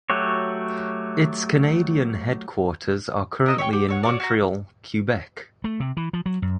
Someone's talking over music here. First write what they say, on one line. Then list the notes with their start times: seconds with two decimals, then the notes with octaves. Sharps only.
Its Canadian headquarters are currently in Montreal, Quebec.
0.10 F#3 A3 F#4 G4 C#5
3.46 A#4 D#5 E6
3.58 C#5 E5 G5 C#6
3.73 G4 F#5
3.88 A4 C#5 F#5
4.03 F#4 C#5 D5
4.20 F#4 A#5
5.64 A3
5.80 C3
5.97 E3
6.13 F3
6.26 F#3
6.42 F#2